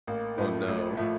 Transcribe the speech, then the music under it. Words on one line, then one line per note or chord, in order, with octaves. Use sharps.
Oh, no.
A1 A#3
A2 F3 A3
A1
A2 F3 A3